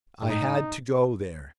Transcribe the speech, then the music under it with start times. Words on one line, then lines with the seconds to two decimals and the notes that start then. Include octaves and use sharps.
I had to go there.
0.22 G#2
0.29 A2 D#4